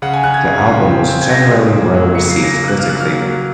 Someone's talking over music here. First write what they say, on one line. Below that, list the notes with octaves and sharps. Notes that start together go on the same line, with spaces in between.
The album was generally well-received critically.
C#3 F#5
G#5
C#3 F#6
G#6
C#3
C#3
C4
C4
G#6
C#3 A#6
G#3
A#3
F#3
C#3 C#7
C7
A#3
A#6
C#3
F#6
A#3 F6
F#6
F#3 F6
F#3